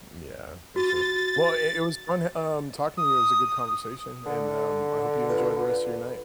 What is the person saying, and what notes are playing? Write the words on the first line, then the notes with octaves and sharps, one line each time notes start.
Yeah, for sure. Well, it it was fun e um, talking to you. It was a good conversation, and, um, I hope you enjoy the rest of your night.
F#4 A6
D#6
D3
F4 B4